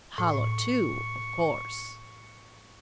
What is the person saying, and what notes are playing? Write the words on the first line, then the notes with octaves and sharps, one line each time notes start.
"Hollow, too, of course?"
A2 C#6